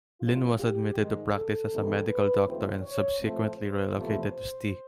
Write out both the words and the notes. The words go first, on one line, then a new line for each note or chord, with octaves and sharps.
Linn was admitted to practice as a medical doctor and subsequently relocated to Ste.
F#2 C#3 F3 G#3 C4 F4
G4
G#2 D#3 G#3 G#4
A4
E2 C3 D#3 G#3
B4
D#2 C#3 F3 A3 C4 C5
C#5
A2 F3 A3 C4 C5
C5
E2 C3 F3 A3
C5